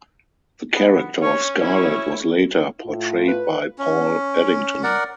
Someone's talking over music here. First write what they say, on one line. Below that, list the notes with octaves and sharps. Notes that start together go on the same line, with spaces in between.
The character of Scarlet was later portrayed by Paul Eddington.
B3
C#4 C#5
E4 C#5
A2 F4
B4
C#4
A#4 D5 F#5